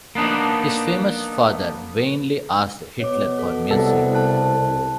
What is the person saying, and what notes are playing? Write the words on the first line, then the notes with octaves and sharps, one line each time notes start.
His famous father vainly asked Hitler for mercy.
A#3 B3 D4 D#4
B2 C#5 D6
A4
C2 E4 A4 F#5
A5 F#6